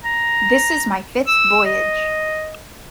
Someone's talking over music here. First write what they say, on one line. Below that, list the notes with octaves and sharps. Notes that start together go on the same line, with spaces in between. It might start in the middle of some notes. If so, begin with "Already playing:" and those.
This is my fifth voyage.
A#5
E6
D#5